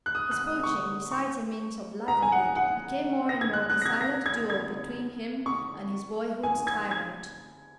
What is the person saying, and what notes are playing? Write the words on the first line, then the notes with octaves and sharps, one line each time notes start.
His poaching, besides a means of livelihood, became more and more a silent duel between him and his boyhood's tyrant.
F#6
D#6
F#6
D#6
C#6
C#6
A#5
G#5
F#5
F#5
A#6
G#6
F#6
F#6
A#6
G#6
A#6
G#6
G#6
C#6
G#5
G#6
G#6